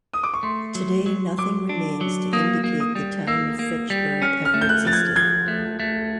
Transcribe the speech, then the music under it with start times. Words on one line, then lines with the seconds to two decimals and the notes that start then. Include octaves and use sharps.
Today nothing remains to indicate the town of Fitchburg ever existed.
0.13 D#6
0.23 D6
0.34 C#6
0.43 A3 C6
0.75 F#3
1.06 F#3
1.38 F#3 D6
1.69 D4
2.01 F#3
2.33 A#3 D#6
2.64 A#3
2.80 D#6
2.95 G3
3.27 A#3 E6
3.59 A#3
3.90 G3
4.22 C#4 F6
4.45 F6
4.54 A3
4.61 G6
4.69 F#6
4.85 F3 A6
4.93 G#6
5.16 F3 G#6
5.48 A3
5.80 A3